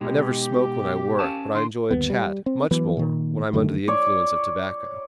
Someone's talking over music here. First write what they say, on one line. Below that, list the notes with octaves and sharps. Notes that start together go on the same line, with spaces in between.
I never smoke when I work, but I enjoy a chat much more when I am under the influence of tobacco.
B2 G#3 D#4 G4
C#4 F5 A5
D3 C6
G1 D#2 B3
G3
C4
E3 F#3 B3
A#2 D#3
F#2 D3 D#3 A3
C#5 D5